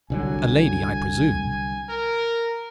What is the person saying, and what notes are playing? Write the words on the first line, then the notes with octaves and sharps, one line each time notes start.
A lady, I presume.
C2 D3 F#3 G#5
A#4